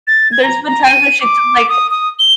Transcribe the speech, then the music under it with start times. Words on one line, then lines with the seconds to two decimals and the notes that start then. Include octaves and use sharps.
There's been times where she's like
0.07 A6
0.32 G#6
0.43 A#5
0.67 A#5
0.86 D#7
1.21 D6
1.69 D#6
1.91 D#6
2.19 G7